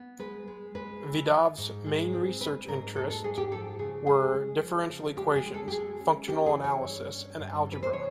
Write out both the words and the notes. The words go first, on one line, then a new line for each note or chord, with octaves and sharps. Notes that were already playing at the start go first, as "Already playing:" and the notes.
Vidav's main research interest were differential equations, functional analysis and algebra.
Already playing: B3
G#3 B4
G#3
G#3 B4
E3
F3
G#2
G#3
C4
C4 B4
G#2 A#4
G#3 A4
A4
G#2 G#4
G4
F3 A4
C#3 G#4
G#3 G#4
G#3
F3
C#3
G#3 G4
G#4
G#3
A4
G4
A3 G#4
C#4
E3 G4
G#4
A3
C#5
G2
C#4
G2
E3
B4
C5
C3 C#5